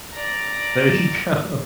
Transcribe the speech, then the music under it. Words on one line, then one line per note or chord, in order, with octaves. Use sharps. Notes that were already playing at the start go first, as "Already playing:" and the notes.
There you go.
D5 A#5